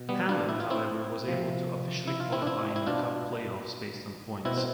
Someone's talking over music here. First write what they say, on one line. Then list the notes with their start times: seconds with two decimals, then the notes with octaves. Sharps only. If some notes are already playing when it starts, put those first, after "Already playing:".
Hamlin however was able to officially qualify in the Cup Playoffs based on points.
Already playing: B2
0.09 G3 B3
0.29 D4 F4
0.49 E4
0.60 F4
0.70 C4 E4
1.28 C3 F3
2.08 E4
2.20 F4
2.32 C4 E4
2.42 D4
2.47 C4 E4
2.76 E4
2.87 B2 D4 F4
4.45 B2 C4 E4
4.57 C4